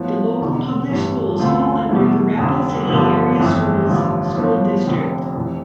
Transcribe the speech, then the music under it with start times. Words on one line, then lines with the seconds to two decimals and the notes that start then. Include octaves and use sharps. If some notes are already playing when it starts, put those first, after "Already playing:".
The local public schools fall under the Rapid City Area Schools school district.
Already playing: A2 F3 B3
0.40 E1 E2 D3
0.89 A1 G2 E3
1.39 D2 D3 A3 C4 F4
1.89 E2 B2 A3 E4
2.38 F1 F2 D3
2.88 A1 G2 D3 F3 B3
3.37 G1 F2 E3 A3
3.87 A1 G2 D3 F3
4.36 A2 F3 B3 F4
4.86 F1 F2 D3
5.36 F1 F2 E3